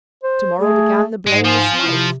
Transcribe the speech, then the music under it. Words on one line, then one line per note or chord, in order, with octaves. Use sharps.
To-morrow began the blameless life.
C5
A3 G#4
G#2 G#3 D#5
F3 F4 G#5
C3 E4